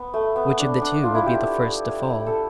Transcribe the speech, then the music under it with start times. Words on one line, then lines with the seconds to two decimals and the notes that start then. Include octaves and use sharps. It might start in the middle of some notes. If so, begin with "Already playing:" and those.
Which of the two will be the first to fall?
Already playing: B3
0.14 A3
0.36 B3
0.59 D4
0.82 D4
1.03 F4
1.15 E4
1.26 G4
2.27 A4